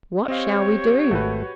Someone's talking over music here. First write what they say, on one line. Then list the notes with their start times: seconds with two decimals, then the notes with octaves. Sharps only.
What shall we do?
0.28 C4 G4 C#5 D#5 F5
1.11 G#1 A3 F#4 B4